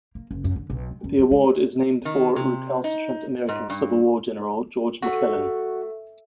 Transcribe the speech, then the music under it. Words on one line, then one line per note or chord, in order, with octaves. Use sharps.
The award is named for recalcitrant American Civil War general George McClellan.
A#3
F#1
F#2
D3
B1
G#3
F#2
F#3
G#3
D#3
C3
D#4
G#2
G2
A3 F#4